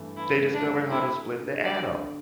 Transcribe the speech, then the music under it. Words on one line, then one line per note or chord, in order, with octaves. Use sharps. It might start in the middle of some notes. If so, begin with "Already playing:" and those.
they discovered how to split the atom
Already playing: G2 E3 A3
E3 E4
A3
D4
A3
E4 G4
A3
D3
G4 D5
D3